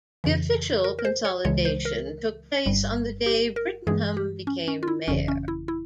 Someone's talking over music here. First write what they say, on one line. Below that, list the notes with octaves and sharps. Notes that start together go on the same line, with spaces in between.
The official consolidation took place on the day Brittingham became mayor.
F2 C#3 E3
A#4
A#4
C5
C#5
C#2 C#3 E3 G#3 C#5
C5
A#4
G1 G2 G3
G4
A#4
G2 E3 G#3 G#4
G4
C#4
C#4
F4
E4
G1 F2 C#3 E3 C#4
C#4
E4
E4